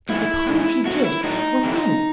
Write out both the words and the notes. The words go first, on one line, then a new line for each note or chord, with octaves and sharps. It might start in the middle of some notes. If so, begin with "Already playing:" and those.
And, suppose he did, what then?
G#2 E3 G#3 E4
A2 E3 G#3
C3 F#3 A3 F#4
E4
A2 F#3 A3 D#4
C3 E3 A3